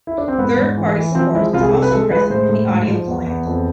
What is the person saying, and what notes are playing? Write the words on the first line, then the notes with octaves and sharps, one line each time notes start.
Third-party support is also present in the audio client.
E4
D4
C4
G#2 B3
G#2
E3
E3
F3 C4
G#3 E4
C2 F4
G#4
C2 A4
B4
G#3 A4
G#3 B4
A2 C5
A2
G#2
F3
E2
E2
F2